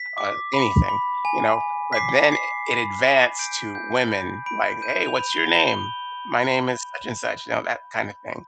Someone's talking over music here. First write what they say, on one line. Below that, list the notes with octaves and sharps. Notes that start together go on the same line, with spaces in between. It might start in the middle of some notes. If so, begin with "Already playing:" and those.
uh, anything, you know; but then it advanced to women, like, "Hey, what's your name? My name is such and such," you know, that kind of thing.
Already playing: B6
D6
B5
B5
G#5
G#5
B6
D6 C7
D6 C7
B5
B5
G6 D7
G6
B5
B5 D7
G6 D#7
F7
B5
G7
B5 G7